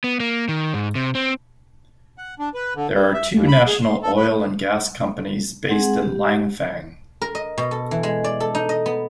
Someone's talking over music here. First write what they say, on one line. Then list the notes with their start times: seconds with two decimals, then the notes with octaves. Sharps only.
There are two national oil and gas companies based in Langfang.
0.04 B3
0.20 A#3
0.49 D#3
0.74 G#2
0.95 C3
1.15 C4
2.18 F#5
2.39 D4
2.54 B4
2.76 D3
2.94 G3
3.14 E5
3.33 D#2
3.48 B5
3.67 G#4
3.82 C6
4.03 A4
4.17 B4
5.69 G#3 C4 G#4 F#5
6.02 G4
7.22 A#4
7.35 D#5
7.58 B2
7.71 A4
7.91 E3
8.03 G#3
8.24 D5
8.40 A4
8.55 D#4
8.69 D#5
8.86 B3